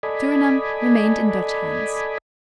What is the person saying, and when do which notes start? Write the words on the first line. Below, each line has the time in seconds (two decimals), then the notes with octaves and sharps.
Surinam remained in Dutch hands.
0.03 A4 D5 D#5 G#5 B5